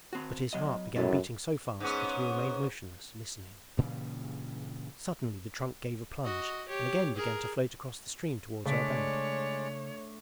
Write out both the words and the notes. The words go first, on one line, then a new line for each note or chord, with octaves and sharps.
But his heart began beating so fast that he remained motionless, listening. Suddenly the trunk gave a plunge and again began to float across the stream towards our bank.
C4 F#4
F#3 D#5
F#2 G#3 E4 A4
G#2 B3 C#4
G2 A#2 C#3 E3
F#4 D#5
G4 C#5
G#4 A#4
C#3 G#3 A3 D4 C#5 D5